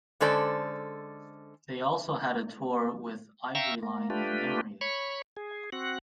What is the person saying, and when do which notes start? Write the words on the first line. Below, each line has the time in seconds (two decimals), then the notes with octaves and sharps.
They also had a tour with Ivoryline and Emery.
0.20 D3 G#3 C#4 A4 C5 D5
3.55 E5 F5 G5 A#5 C#6 E6
3.83 A#3
4.10 A3 D4 F4 G4 B4
4.81 C#5 B5 C#6
5.37 G#4
5.72 C4 F#4 F#5